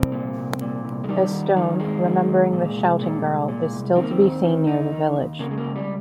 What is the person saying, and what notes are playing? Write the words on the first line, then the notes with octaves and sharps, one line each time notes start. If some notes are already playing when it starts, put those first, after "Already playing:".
A stone, remembering the Shouting Girl, is still to be seen near the village.
Already playing: C2 C4
A#2
C2
A#2
C2
G#3
D#3 G3
D#2
D#3
D#2 G#3
D#3
D#2
A#2
C2
A#2
C2
A#2
C2
D#3 C4
A#3
C4
D#2
D#3
D#2 D#4
D#3
D#2
C#3 A#3
G#3
A#3
C#2
G3